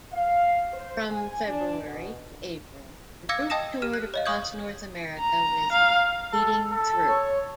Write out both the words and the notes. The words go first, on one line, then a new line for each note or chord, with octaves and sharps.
From February to April, the group toured across North America with Bleeding Through.
F5
C5
G#5
D4
B2
F5 D6 E6 G#6 A#6 C#7
D#5 G5 A5 D#6 A#6 E7
G4 F6 E7
F#6
C#5 D#5 F5
F5 C#6 D#6 G6 G#6
A#5
F5
A4
A4
C#5